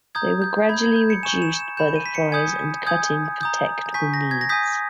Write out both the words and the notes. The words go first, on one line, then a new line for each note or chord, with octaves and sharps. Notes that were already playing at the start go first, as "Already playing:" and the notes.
They were gradually reduced by the fires and cutting for technical needs.
A#5 D#6 G6 G#6
G6
B5 G6 G#6
G#6
G6
C#7
G#5 C#6 G6 E7
E7
E7
B5 G6 E7
D#7
B6
C#7
G#5 D#6 G6 G#6
G#5 D#6 G6 G#6
A#5 D#6 G6
G#5 C#6 G6 B6
A#6
G#6
A#6
G#5 D#6 G6 B6